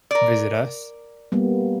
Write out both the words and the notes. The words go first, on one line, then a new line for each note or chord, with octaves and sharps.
visit us.
A#4 D5
G3 A#3 B3